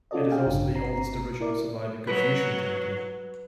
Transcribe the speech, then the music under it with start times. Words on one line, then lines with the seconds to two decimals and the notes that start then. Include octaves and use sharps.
It is also the oldest original surviving Confucian temple.
0.11 C#4 F4 F#4 A4 D5 D#5
0.31 F#4 G#4 F5 G5
0.47 A1 G2 C#3 D4
0.73 G1 C4 A#5 C7
1.40 E4 A#4 D5
2.07 F#3 B4